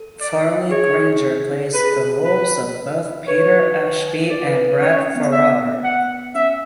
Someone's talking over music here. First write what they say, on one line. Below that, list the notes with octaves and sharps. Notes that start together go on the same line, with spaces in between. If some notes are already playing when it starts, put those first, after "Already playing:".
Farley Granger plays the roles of both Peter Ashby and Brat Farrar.
Already playing: A4
D5
G#4 C#5
A4 B4
G#4
A4
B4
B4 C#5
A4 D5
B4
A4
C#4 C#5
C#4
B3
E5
F#5
C#4 E5